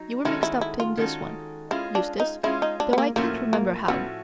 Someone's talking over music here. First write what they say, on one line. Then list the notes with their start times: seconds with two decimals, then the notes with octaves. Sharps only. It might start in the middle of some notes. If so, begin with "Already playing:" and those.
You were mixed up in this one, Eustace, though I can't remember how.
Already playing: F#3 D#4
0.25 D#3 G#3 C#4 E4 F#4 A4
0.43 E4
0.61 E4
0.80 F4
0.97 D#3 G#3 C#4 F#4 A4
1.71 G#3 C#4 E4 F4
1.95 D4
2.20 D#4
2.43 G#3 C#4 E4 F4
2.62 D#4
2.80 D4
2.93 B3
2.98 A#3
3.16 A2 F3 A3 A#3 C#4 F#4
3.53 A#3
3.88 A2 F3 A3 B3 C#4 F#4